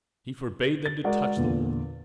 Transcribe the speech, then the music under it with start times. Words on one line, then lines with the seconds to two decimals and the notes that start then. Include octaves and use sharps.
He forbade them to touch the wolf.
0.86 A6
1.04 G#3 F#4 G#4 A#4 D5 F#5
1.37 E2 A#2 D3